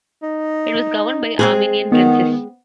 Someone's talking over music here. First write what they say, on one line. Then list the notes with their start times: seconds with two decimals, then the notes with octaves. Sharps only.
It was governed by Armenian princes.
0.22 D#4
1.39 G#3 C4 G#4
1.92 D#3 B3